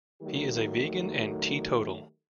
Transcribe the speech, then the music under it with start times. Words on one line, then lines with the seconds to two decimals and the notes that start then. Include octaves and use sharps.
He is a vegan and teetotal.
0.22 D#3 F#3 A3 G4